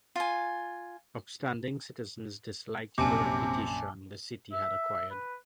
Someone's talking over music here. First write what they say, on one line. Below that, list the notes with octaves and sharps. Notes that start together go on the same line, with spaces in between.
Upstanding citizens disliked the reputation the city had acquired.
F4 G#5
A#1 F#2 C3 G#5 A5 D6
E5
B4